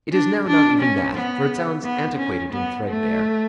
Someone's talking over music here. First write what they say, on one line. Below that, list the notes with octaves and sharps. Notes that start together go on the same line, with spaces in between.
It is now not even that, for it sounds antiquated and threadbare.
D4
D4
C#4
B3
B3
C#4
B3
A3